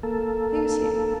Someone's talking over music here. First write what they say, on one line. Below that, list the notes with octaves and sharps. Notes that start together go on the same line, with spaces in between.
"Who's here?"
A#3 A4